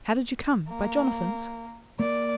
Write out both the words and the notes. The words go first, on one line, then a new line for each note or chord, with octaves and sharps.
'How did you come; by Jonathan's?'
A#3
A#3 D5